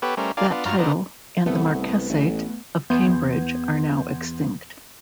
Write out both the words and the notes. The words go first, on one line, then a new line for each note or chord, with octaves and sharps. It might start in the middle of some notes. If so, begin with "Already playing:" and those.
That title and the marquessate of Cambridge are now extinct.
B3 G4 A4 B4 C#5
G3 A3 C#4 A#4 C5
D4 F4 A#4 D5 F5 G#5
B3 D4 F4
G2 F#3 F4 A#5 C#6 F6
B3 D4 A#4 C5 D#5
C2 A3 B3
C2
A1
E2 E3 B3 C6 G6 G#6